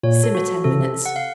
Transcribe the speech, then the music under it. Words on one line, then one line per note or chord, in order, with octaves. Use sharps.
Simmer ten minutes.
A#2 C#5
A4
F#4
C3 A4
C#3
C3
F#5
F5